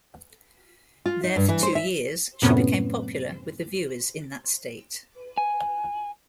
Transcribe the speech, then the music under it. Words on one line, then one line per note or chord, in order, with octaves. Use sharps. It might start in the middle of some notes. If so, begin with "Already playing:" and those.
There for two years, she became popular with the viewers in that state.
F4
D#4
G2
E3
C5
E5
F#2 A2 C3 B3 C#4
G#5